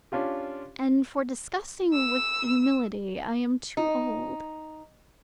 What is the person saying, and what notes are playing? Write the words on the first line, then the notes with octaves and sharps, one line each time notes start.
And for discussing with humility I am too old.
C#4 D4 F4 G4
E6
D#4